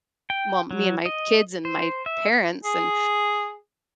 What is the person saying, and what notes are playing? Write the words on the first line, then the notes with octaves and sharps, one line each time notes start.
well, me and my kids and my parents, and
G5
F#3
D#5
C5
E5
G#4